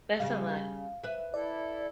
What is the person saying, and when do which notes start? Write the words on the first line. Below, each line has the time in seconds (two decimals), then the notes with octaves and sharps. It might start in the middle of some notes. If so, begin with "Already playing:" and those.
That's a lot.
0.20 C#3 G3 F5
1.03 B4 E5
1.34 E4 A4 D5